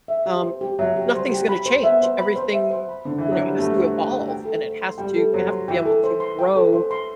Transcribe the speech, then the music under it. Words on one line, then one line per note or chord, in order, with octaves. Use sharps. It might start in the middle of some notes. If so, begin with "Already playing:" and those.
um, n n-nothing's gonna change. Everything, you know, has to evolve and it has to you have to be able to grow,
E5
G4
C5
G4
F#3 E5
G4
G3 C5
G4
B5
C5
B3 E5
C5
B5
C5
E5
C5
B5
D3 C5
E3 E5
F#3
G3 C5
A3 B5
C5
E5
C5
G5
A4
C5
C6
G3 G5
A4
F#3 C5
C6
E3 G5
A4
C5
C6
G5
A4
C5
C6